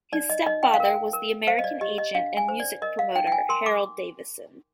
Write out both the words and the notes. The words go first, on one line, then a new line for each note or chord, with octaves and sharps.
His stepfather was the American agent and music promoter Harold Davison.
D#4 D5
D#5
D#4 D#5
G5
F5
A#4 G5
A#4
C5 F5
D#5
D5
G4 D#5
D#5
D4 F5
G#5
C5
D5
A#4 D#5
F5
D#4 G5
G5
G#5
A#4 C6
D6